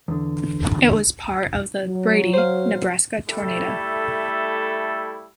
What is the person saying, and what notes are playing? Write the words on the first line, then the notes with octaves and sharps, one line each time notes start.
It was part of the "Brady, Nebraska Tornado".
E2 D3
F#3
C5 F5
G3 A3 E4 A4